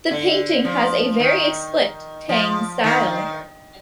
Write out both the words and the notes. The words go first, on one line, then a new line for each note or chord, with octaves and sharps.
The painting has a very explicit Tang style.
D3
F3
D#3
F3
D#3